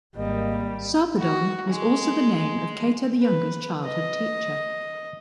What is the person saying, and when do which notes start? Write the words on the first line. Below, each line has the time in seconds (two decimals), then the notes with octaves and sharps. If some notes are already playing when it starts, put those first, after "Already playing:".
Sarpedon was also the name of Cato the Younger's childhood teacher.
0.16 G#1 G3 A#3 D#5
1.19 F#4
1.71 G#3
3.21 B4
3.85 D#5